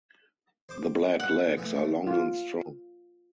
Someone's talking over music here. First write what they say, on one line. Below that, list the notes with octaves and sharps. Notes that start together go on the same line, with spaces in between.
The black legs are long and strong.
C5 D6
F#5
E3 A3
F4